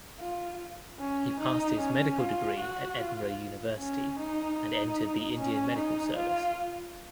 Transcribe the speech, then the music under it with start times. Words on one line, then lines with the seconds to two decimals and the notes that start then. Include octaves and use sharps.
He passed his medical degree at Edinburgh University and entered the Indian Medical Service.
0.20 F4
1.00 C#4
1.40 D#4
1.80 C#4
2.19 F4
2.60 F#4
2.99 F4
3.78 C#4
4.19 D#4
4.59 D#4
5.38 C#4
5.78 D#4
6.17 F4